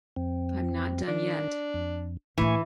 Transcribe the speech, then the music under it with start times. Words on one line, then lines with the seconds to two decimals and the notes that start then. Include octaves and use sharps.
I'm not done yet.
0.16 F2 C4
1.08 D#3 D4
1.74 F2
2.38 A2 E3 A#3 G#5 C#6